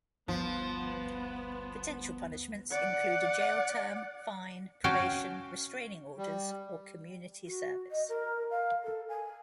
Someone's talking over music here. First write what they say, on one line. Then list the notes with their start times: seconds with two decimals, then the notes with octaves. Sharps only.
Potential punishments include a jail term, fine, probation, restraining orders, or community service.
0.28 G1 D2 G2 F3 B3
2.71 D5 F#5
4.84 C#4 F#4 F5 G5 A5
6.18 G3
7.45 F#4
7.91 D#5
8.09 A#4
8.51 F5
8.84 A4
9.09 G#5